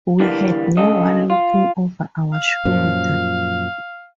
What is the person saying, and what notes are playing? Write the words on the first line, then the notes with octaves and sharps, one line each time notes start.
We had no one looking over our shoulder.
D3 E3 G3 A#3
G2 C#3 A4 D#5
F4
F5
F#2 A#2 F3